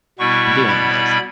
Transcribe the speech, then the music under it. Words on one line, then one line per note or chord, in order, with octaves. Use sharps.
doing this.
B2 G3 B3 E4 C#6
B5